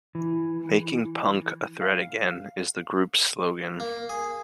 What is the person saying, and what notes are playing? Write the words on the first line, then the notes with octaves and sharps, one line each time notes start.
"Making punk a threat again" is the group's slogan.
E3
F5
A#3
G#4